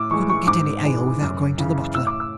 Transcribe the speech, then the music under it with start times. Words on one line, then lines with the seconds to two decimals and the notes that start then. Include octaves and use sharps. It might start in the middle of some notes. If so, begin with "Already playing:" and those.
I couldn't get any ale without going to the butler.
Already playing: A2 D6 E6
0.11 E3 G#3 C#6
0.29 C#6
0.47 G#2 D6
0.84 E3 G#3
1.22 F#2
1.58 C#3 E3
1.94 A2 E6
2.07 D6
2.20 E6